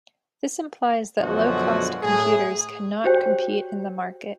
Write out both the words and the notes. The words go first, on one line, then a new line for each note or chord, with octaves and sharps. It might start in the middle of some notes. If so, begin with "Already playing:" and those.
This implies that low-cost computers cannot compete in the market.
F#2 B2 D3 F3 G#3 F#4
A2 G#4
F#4 G4 C5 C#5 G5